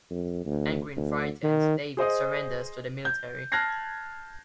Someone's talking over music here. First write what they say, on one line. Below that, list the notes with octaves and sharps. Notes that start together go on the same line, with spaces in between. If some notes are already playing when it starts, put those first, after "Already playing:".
Angry and frightened, David surrenders to the military.
F2
D2
D2
D#3
G#4 C5 D#5 D#6
G6
A5 F6 F#6 G#6 A#6 C7